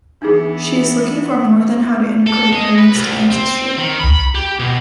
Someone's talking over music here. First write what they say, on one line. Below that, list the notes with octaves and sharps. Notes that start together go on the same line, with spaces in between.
She is looking for more than how to integrate her mixed ancestry.
E3 B3 D4 D#4 G#4
A4
G#3
B4
C2
C4
D#3
B5
G4
B2